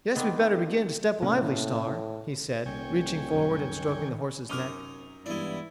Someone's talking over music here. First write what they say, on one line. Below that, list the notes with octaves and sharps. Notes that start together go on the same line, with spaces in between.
"Guess we'd better begin to step lively, Star," he said, reaching forward and stroking the horse's neck.
D#3 B3 C4 D4
A2 C3 A#3 C#4
D#1 C2 C#5 G5 G#5
G1 C2 F#2 D#3
F#2 D#4 A#4 D6 F6
G2 E3 G#3 B3 D4 E4